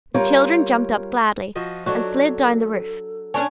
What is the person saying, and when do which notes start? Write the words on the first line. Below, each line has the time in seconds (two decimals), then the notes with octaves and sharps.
The children jumped up gladly, and slid down the roof.
0.14 G3 F4 A#4 C#5
1.55 F3 F#4 D#5
1.86 F#3 D4 F#4 A4 C5 D#5 C#6
3.34 C#4 D4 C#5 G#5 A5